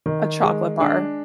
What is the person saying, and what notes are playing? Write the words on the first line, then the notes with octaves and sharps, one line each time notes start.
a chocolate bar.
D#3
G#3
D4